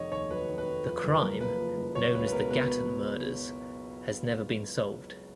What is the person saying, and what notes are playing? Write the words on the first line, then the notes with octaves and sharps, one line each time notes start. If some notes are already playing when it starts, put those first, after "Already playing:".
The crime, known as the Gatton murders, has never been solved.
Already playing: F1 D#3 C#5 D#5
D#2 C#5
F#3 B4
D#3
B4
F1
F3 B4
F#1
A#4
F#2
A#3 B4
F3
F#1
F#3 C#5
C#2 B4
B4
B2 A#4
B3 B4